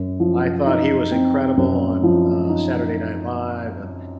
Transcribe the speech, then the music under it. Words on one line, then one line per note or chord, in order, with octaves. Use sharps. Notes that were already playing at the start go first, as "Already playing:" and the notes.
I thought he was incredible on, uh, Saturday Night Live, and
Already playing: F#2
F3
D#4
C4
F#2
F3
D#4